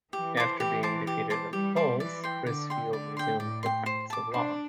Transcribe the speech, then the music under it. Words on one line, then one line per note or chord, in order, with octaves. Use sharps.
After being defeated at the polls, Crisfield resumed the practice of law.
E3 G4
C5 A5 D6
G4
C5 A5 D6
G4
C5 A5 D6
G3 G4
C5 A5 D6
E3 D5
G5 C6
D3 D5
G5 C6
D3 D5
G5 C6
A2 D5
G5 C6
C5
A5 D6
D4 C5